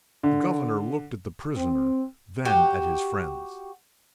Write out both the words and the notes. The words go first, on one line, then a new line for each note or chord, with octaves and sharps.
The governor looked at the prisoner, then at his friends.
D3
C4
F#4 G4